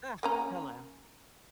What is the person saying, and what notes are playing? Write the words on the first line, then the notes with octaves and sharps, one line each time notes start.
Ugh. Hello.
A#3 C#4 A#5